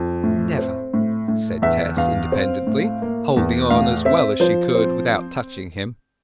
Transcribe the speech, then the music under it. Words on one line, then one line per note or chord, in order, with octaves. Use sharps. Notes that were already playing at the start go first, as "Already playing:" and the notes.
"Never!" said Tess independently, holding on as well as she could without touching him.
Already playing: F2
A2
C4
A2
A2
E2 E5
E2 F5
C4
A2
A#3
E2
A2 F5
C4 E5
F3 C5
C4